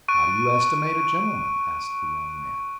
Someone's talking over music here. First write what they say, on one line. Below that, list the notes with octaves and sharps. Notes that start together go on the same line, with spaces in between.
"How do you estimate a gentleman?" asked the young man.
C#6 F#6 D7 D#7